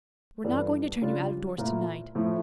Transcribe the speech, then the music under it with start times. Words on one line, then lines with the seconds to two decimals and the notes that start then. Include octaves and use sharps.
We're not going to turn you out-of-doors to-night.
0.44 G2 E3 G3 D4 A4
1.01 C#3 G3 D4 F4
1.58 A#2 A3 E4 A#4
2.15 A2 F3 A3